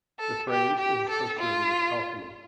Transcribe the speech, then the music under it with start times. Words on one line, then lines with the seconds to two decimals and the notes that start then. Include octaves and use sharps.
The phrase is associated with alchemy.
0.19 A4
0.50 G4
0.79 G4
1.09 A4
1.39 F4